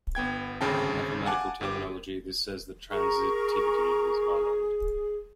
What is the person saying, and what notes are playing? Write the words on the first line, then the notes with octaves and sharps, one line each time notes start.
In mathematical terminology, this says that transitivity is violated.
G1 B3 G5 G#6
G#1 D2 C#3 C4 G5 A5
F5 F#5 G#5 A5 D6 F#6
G1 G4 D6
G#4 A#4 A#5 C#6